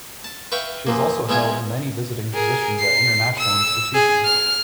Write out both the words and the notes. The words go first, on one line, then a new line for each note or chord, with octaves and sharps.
She has also held many visiting positions at international institutions.
A5
B4 E5 F5 G5 C#6
F#2 F3 A#3
G#2 B3 E4 F4 E5 G#5
G#4 A#4
C7
E6
G#4
F6